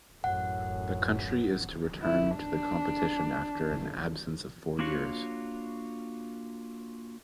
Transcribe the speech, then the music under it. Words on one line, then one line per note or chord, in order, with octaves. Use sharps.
The country is to return to the competition after an absence of four years.
A1 F#2 F#5
E4
D4
A#3 D4 F4 F#4 C#5